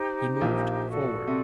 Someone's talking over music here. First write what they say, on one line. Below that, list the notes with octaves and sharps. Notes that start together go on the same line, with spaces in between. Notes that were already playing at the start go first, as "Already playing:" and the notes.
He moved forward.
Already playing: D#4 G4 C5
A#1 A#2
F#4 A4 D5
C3